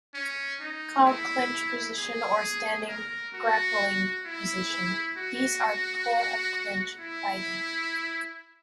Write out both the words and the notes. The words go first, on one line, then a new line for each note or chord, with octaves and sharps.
Called clinch position or standing grappling position, these are the core of clinch fighting.
C#4
D#4
E4
G#4
A#4
F#4
E4
F#4
E4